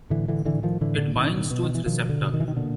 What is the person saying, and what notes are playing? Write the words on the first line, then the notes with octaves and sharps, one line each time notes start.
It binds to its receptor.
A2 D3 E3
D3 E3
A2 D3 E3
D#3 F3
A2 D3 E3
D3
B2 D#3
B2
D#3
E3
B2 D#3 F3
D3
B2
D#3
E3
D#3
A#2 D3